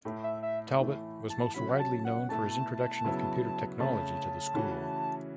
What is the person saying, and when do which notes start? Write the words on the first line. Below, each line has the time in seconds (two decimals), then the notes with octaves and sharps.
Talbot was most widely known for his introduction of computer technology to the school.
0.05 A2 A3 E4
0.24 E5
0.43 E5
0.79 A2 E3 A3 E4
1.30 A5
1.54 C#3 F#3 C#4 F#4 B5
1.69 F#5
1.80 A5
2.05 F#5
2.29 B2 A3 E4 A5
3.04 C#3 F#3 B3 E4
3.80 C#3 A3 C#4 A5
4.54 C#3 E3 A3 C#4 F#4